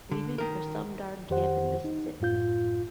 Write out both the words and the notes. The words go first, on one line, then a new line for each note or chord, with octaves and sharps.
Leaving for some darn camp in Mississippi.
D3
D#3 A#4
F2 D#3 G4 C5 F#5
D#4
F#2 A2 F4 G6